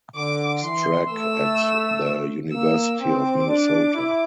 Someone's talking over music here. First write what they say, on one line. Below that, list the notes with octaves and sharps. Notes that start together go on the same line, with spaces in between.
Strack at the University of Minnesota.
D3 D6
E3 C6
A3 E6
A#3 E6
C4 D6
D4
E4